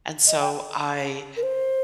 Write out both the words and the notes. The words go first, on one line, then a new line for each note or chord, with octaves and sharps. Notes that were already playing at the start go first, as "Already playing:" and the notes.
and so, I
D#5
G5
A#4
C5